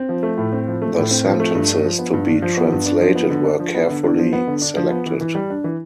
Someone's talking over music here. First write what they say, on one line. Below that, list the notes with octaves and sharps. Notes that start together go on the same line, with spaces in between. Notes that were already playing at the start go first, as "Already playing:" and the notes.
The sentences to be translated were carefully selected.
Already playing: C4
F3
A3
A2
C4
F3
A3
A2
C4
F3
A3
G2
D4
F3
B3
G2
D4
F3
B3
G2
D4
F3
B3
D3
D4
F3
B3
D3
D4
F3
B3
D3
D4
F3
B3
E3
E3
G3
D4
E3